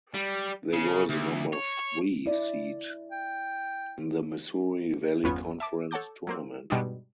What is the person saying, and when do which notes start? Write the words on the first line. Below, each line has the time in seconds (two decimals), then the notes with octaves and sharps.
They were the number three seed in the Missouri Valley Conference Tournament.
0.15 G3
0.73 C#3
1.09 D2
1.53 C#5
2.26 E4 D5
3.11 G5
5.24 G1 E2 B3 C#4 F4 G#5
5.60 E5 A5 D6
5.91 A4 C#5 F#5 A5 D6 G6
6.27 F#3 A#3 C4
6.70 G2 B2 G3 G#3 D4 D#4